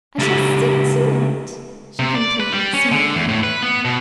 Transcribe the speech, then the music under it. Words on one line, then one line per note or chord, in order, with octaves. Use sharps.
"I shall stick to it," she continued, smiling.
C#3 G#3 D4 E4 G4 A4
C3
D5
B4
G3
C#4
D3
E2
A2
B4
B3
B2